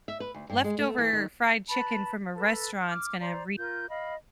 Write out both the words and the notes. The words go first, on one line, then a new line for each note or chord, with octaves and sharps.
leftover fried chicken from a restaurant's gonna re
E5
B4
D2
G2
G#3
A3
E3
D#3
B4 A5 B5
A4 B4 A5
D6 F6
C5 D5 A#5
F4 A#4 G6
D#5 F5 B5